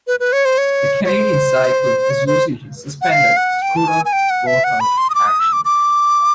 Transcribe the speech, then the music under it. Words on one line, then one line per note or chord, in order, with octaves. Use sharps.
The Canadian Cycling Association suspended Schroeter for her actions.
B4
B4
C#5
C5
C#5
C#5
C5
C#5
C5
F#5
F5
F#5
G5
A5
G#5
G#5
G5
F#5
E5
F#5
B5
C6
D#6
D6
D#6
E6
D6
D6